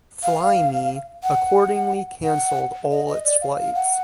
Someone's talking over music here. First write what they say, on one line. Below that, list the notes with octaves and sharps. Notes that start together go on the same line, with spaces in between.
FlyMe accordingly cancelled all its flights.
F5
F#5
F#5
D#5
D#5
D5
F5
F5
F#5